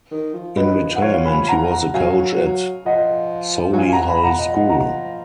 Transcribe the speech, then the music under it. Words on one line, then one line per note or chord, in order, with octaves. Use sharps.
In retirement he was a coach at Solihull School.
D#3
F3
F#3 B4 D#5
D#3
F3
F#5
F3 C#5 F5
G#5 B5
F#5 A#5
F#5 A#5
F#3 F5 G#5
F3 D#5 F#5
F#3
F3 F5 G#5
G#5
F#5 A#5
G#5 B5
F#5 A#5
D#5 F#5
D#5 F#5
F#5 A#5